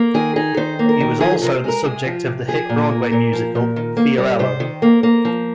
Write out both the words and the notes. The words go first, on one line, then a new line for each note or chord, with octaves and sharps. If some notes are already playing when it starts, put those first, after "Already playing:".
He was also the subject of the hit Broadway musical Fiorello!
Already playing: A#3
D#3 G#4
D#4 G#4
D#3 C5
A#3
A#4
D#3
F3 G#4
G#4
C3 A#4
C5
G#3 A#4
C3 G#4
F3 F4
C3
F3 G#4
A#2
A#3
A#2 A#4
F3
A#2
D#3
A#3
G3
C3 C5
D#3
A#3
A#3
F3